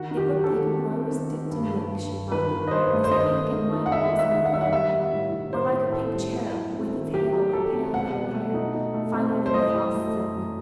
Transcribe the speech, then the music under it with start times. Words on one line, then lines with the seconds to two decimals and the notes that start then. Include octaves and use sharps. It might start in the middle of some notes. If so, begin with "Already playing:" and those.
It looked like a rose dipped in milk, she thought, this pink and white blossom of girlhood, or like a pink cherub, with its halo of pale yellow hair, finer than floss silk.
Already playing: D#3 F#4
0.11 D#3
0.17 G4
0.30 F#3
0.44 A4
0.50 D#3
0.72 C4
0.91 C4
1.11 D#3
1.32 D#3
1.51 G2
1.72 G2
1.92 G2
2.11 G2
2.32 D#3 B4
2.51 D#3
2.68 D#5
2.71 G2 C5
2.92 A3
3.04 C5
3.11 D#3 D#5
3.31 A3
3.52 D#3
3.73 D#4
3.86 F#5
3.92 D#3 E5
4.12 D#4
4.19 E5
4.33 D#3
4.46 F#5
4.53 D#3 E5
4.61 F#5
4.73 G3 E5
4.92 G3
5.13 A2
5.32 A2
5.52 A2 C5
5.73 A2
5.92 A2 A4
6.14 G3
6.33 E4
6.54 F#3
6.73 C4
6.94 D#3
7.13 F#3 G4
7.33 F#3
7.53 F#3 A4
7.73 C4
7.93 B2 F#5
8.14 B2
8.33 A3
8.54 D#4
8.74 D#4
8.94 A3
9.14 C4
9.34 A3
9.46 C5
9.54 E3 D#5
9.74 F#2
9.94 A3
10.14 F#2
10.35 F#2